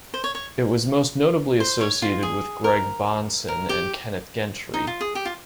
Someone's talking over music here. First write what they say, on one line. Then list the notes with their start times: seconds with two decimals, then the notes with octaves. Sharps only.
It was most notably associated with Greg Bahnsen and Kenneth Gentry.
0.14 C5
0.24 C#5
0.35 C#5
1.60 C5
1.81 C#5
2.02 F4
2.23 G#4
2.64 A#4
3.48 A#4
3.69 G4
4.74 D#4
4.87 F4
5.01 G#4
5.15 G4
5.25 F4